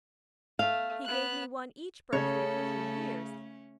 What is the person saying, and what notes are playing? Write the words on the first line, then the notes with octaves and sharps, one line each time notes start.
He gave me one each birthday for three years.
A3 F5
B3 F#6
C#3 A3 C#4 A4 C#5